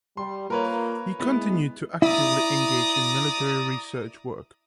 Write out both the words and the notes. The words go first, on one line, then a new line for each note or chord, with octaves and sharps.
He continued to actively engage in military research work.
G3 C6
A#3 F4 A#4 B4 C#5
G#3 B3 E4
E4 D5 A#5 D#6